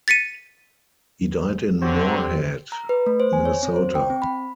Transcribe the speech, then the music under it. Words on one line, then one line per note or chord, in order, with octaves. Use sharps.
He died in Moorhead, Minnesota.
A6 B6 C#7 D#7
D3 C4 F#4 G4 C5 C#5
A#5
B4
A3
C5
G#5
C#5
C4
C5
G5
C4
B5